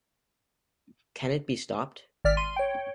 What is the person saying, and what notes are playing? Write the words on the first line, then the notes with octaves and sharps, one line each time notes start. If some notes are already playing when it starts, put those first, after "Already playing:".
Can it Be Stopped?
G#1 D5 F6 B6
C6 D#7
C#5 G5